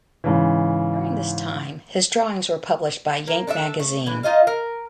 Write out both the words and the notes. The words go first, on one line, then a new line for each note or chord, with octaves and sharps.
During this time, his drawings were published by "Yank" magazine.
G#2 C#3 E3
A#3
D4 A4 D5 E5
A3
D3 E3
D#4 F4 D#5 F5
A#4